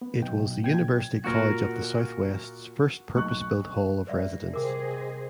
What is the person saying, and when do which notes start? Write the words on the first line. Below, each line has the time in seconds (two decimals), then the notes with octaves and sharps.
It was the University College of the South West's first purpose-built hall of residence.
0.02 B3
0.22 B1 G5
0.63 A#2 G5 G#6
1.24 A#2 F#4 A#4
3.15 B1 C#6 F#6
4.07 G3 B4 D5 E5
4.53 C3 G#4 A#4 C5 D#5 D6 D7